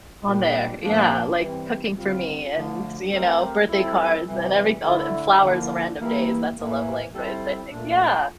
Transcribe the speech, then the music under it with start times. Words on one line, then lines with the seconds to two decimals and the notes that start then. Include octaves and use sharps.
On there, yeah, like cooking for me and, you know, birthday cards and every all and flowers on random days. That's a love language, I think, yeah.
0.22 A#2 G3 D4 G4
0.80 A#2 F3 A#3 D4
1.37 E3 G3 C4
1.95 D3 G3 C4 F4
2.53 D3 F3 A3
3.10 A3 C4 G4 A#4
3.67 G3 C4 E4 A4
4.25 C3 E3 G3
4.82 D3 A3 E4 A4
5.40 D3 F3 A#3 E4
5.98 E3 G3 A#3 E4
6.55 A2 E3 A#3
7.13 G3 C4 E4 A4
7.70 A#2 A3 D4 F4